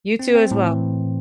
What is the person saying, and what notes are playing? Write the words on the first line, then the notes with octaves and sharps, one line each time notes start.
You too as well.
C4
C4
A2
E3